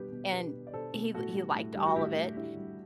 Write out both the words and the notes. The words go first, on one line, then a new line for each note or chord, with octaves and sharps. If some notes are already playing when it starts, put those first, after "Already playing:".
and he he liked all of it.
Already playing: B2 G3 B3 G4 B4
B2
B2 G4 B4
B2
D5
B2 A4 C5
B2
A2 F#4 A4
G3
A2
G3
F#4
A2 E4 G4
A2
A2 E4 G4
G3